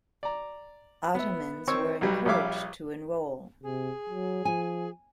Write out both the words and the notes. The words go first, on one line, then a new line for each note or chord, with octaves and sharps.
Ottomans were encouraged to enroll.
D5 A#5
B3 E5
D#3 C4 C#5 C#6 E6
B1 F#3 G3
A#1 G3 C#5 E5 F5 D6
C3 G#4
F#3
F3 G#5